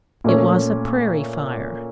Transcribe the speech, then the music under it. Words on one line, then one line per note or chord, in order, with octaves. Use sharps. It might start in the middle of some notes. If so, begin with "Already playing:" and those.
It was a prairie fire.
A#2 A3 C#4